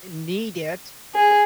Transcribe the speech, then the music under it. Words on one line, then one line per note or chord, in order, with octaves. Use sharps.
need it
G#4